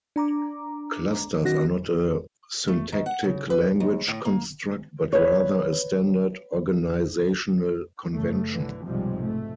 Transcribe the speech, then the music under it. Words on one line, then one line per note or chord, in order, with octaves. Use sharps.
Clusters are not a syntactic language construct, but rather a standard organizational convention.
D4 A#5 D6
D#3 C#4 F#4 A#6
A3
D#3
F#5
C#3
B4
D#2
A2
A#3
B4 C#5
F#2 C#3 A3
B1 D3 E3
B1 F2 G#2 C3 F3 G3
A3